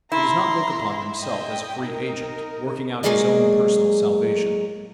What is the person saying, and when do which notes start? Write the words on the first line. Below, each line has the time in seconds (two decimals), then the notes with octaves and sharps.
He does not look upon himself as a free agent, working out his own personal salvation.
0.12 E4 A#5 C6
1.20 D#5 G5
1.82 D#4 A#4
3.03 F#3 G#3 A#3 G#4 D5 D#5